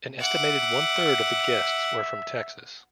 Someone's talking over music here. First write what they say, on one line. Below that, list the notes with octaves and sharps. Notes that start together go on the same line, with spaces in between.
An estimated one-third of the guests were from Texas.
E5 F#5 D6